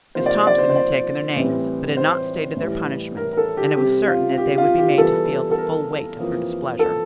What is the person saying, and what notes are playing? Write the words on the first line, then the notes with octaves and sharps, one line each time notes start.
Miss Thompson had taken their names, but had not stated their punishment and it was certain that they would be made to feel the full weight of her displeasure.
C3 F3 A#3 C5
D5
C5
D5
C5
C5
D5
A2 E3 G3 C4
C5
A2 E3 G3
A#4
A#4
A4
G4
C3 G3 C4 G4
F4
G4
F4
G4
E2 E3 G3 A4
A4
A#4
F2 E3 A#3
A4